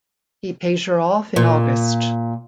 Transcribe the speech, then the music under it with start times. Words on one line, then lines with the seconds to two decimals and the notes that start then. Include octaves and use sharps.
He paid her off in August.
1.36 A#2